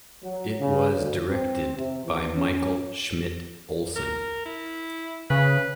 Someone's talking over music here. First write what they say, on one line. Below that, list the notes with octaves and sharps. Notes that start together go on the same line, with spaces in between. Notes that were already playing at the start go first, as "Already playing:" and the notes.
It was directed by Michael Schmidt-Olsen.
F#3
C#3
D2
C4
C3
E2
C#4
A#4
E4
C#3 B4